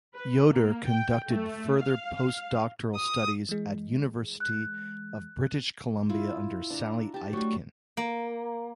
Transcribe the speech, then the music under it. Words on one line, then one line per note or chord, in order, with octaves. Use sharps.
Yoder conducted further postdoctoral studies at University of British Columbia under Sally Aitken.
B4
A#3
G5
A3
F5
D#6
E3 G#3
F#6
E4 F4
D4 A#5
G4 A5
F#3 G3 A3 C#6
A#3